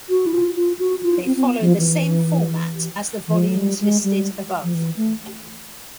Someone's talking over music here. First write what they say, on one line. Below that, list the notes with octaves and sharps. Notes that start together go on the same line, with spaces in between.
They follow the same format as the volumes listed above.
F#4
E4
F4
F4
F#4
F4
C4
C4
B3
F3
E3
E3
F3
F#3
G3
G#3
G3
F3
E3
A3